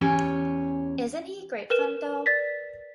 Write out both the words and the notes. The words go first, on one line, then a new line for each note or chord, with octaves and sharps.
Isn't he great fun, though?
E2 C#4 G4 C#5 G#5
A#4 B4 E7
D5 A6 B6